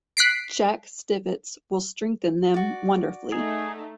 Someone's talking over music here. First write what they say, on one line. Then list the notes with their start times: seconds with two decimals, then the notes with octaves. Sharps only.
Jack Stivetts will strengthen them wonderfully.
0.17 F#6 B6 C7 D7
2.54 F#4 D5
3.32 A3 D#4 G#4